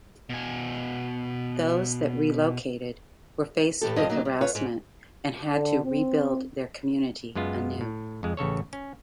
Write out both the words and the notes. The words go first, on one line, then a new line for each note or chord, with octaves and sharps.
Those that relocated were faced with harassment and had to rebuild their community anew.
B2 G#5
A2 E3 G4 A4
G2 F3 G3 C4 D#5
F#3 A#3 D#4
G3
F4 B4 C#5
G#2
D3
C4
F#2 G#3 B3 F4
A2
F2 G#3
A1 C#3 A4 C#5
C#4